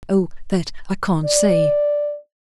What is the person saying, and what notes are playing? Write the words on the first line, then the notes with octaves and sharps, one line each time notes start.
"Oh, that I can't say."
D5